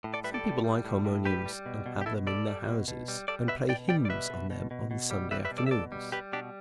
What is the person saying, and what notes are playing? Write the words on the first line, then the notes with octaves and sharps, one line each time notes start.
Some people like harmoniums, and have them in their houses, and play hymns on them on Sunday afternoons.
A2
A4 D5
G3 B4 E5
A4 D5
A2
G3
A2
A2
G3 G4 B4
G3
B2
B2
G4
B2 E4 A4
G3 A4 D5
G3
B2
B2
G3
G3 A4 D5
B2 B4 E5
B2 D5 G5
G3 D5 G5
D5
B2 B4 E5
B2
B2
B2
B2
G3
G3 B4 E5
B4 E5
B2
A4 D5
E5
B2 A4 D5
G3
G3 G4 B4
B2 D4 G4